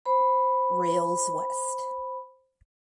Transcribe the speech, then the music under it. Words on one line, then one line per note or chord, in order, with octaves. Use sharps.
Rails West!
C5 B5